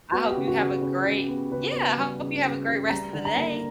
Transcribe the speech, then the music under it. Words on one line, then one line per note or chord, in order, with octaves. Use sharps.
I hope you have a great, yeah, I hope you have a great rest of the day.
B3 F#4
G4
C#3
F#4
C#3
C#3
C#3
B3
C#3 B4
B3
G3
C#3
C#3
C#3
G3 A#5
D3
A#5
A#3